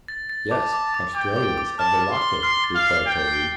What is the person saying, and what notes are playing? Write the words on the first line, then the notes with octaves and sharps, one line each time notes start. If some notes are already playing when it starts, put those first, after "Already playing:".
"Yes, Australians of the Lachlan," replied Toline.
A6
A6
A5 D6
D6
D6
G5 D6
D6
D6
A5 F6
F6
C6
G7
C6 F6
A6
F5
C7
G5 F6
C7